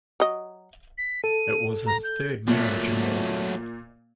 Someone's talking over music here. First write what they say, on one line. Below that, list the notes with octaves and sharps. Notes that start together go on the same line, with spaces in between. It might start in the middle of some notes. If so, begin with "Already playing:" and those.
It was his third marriage in all.
F#3 D#5
B6
A4 D#7
A#5
G6
A#2 F#3 A3